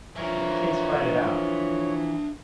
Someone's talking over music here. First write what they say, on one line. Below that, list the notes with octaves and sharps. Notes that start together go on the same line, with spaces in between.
"Let the kids fight it out."
E3 F3 D4 A#4 C#5 E5